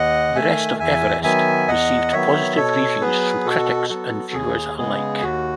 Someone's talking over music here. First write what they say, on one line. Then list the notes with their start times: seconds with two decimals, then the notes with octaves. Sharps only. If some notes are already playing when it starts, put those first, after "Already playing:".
'The Rest of Everest' received positive reviews from critics and viewers alike.
Already playing: D#2 D#5 F#5
0.35 D#3 A3 E5 G#5
0.79 E2 E5 G#5
1.24 D#3 F#3 B3 E5 G#5
1.68 E2 D#5 F#5
2.13 D#3 F#3 B3 C#5 E5
2.56 B2 A4 C#5
3.01 F#3 B3 G#4 B4
3.45 B2 F#4 A4
3.89 F#3 B3 F#4 A4
4.34 D#2 G#4
4.78 C#3 G#3 B3 G#4
5.22 D#2 F#4